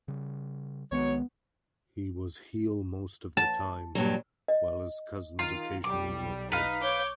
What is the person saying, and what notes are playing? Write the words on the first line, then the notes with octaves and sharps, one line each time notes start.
He was heel most of the time, while his cousins occasionally were face.
C#3 G3
C2 D#3 F#3 G#3 B3 C#5
A5
G2 A#2 F#3
D#5
D#3 F4 A#5
B1 G3 D6
D#4 B4 F5
C#5 D6 G6